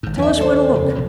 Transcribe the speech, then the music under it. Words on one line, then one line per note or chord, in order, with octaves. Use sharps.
'Tell us where to look.'
G#1 G#2
D#2 E3 F3 C#4 D4 E5
A4 C5
F2 C#3
B1 F2 B2